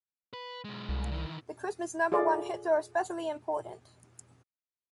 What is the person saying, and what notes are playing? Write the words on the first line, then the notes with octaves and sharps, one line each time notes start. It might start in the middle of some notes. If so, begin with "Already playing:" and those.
The Christmas number one hits are especially important.
B4
B1 G#3
C2
D#3 E3
F4 G#4 A4 D5 F5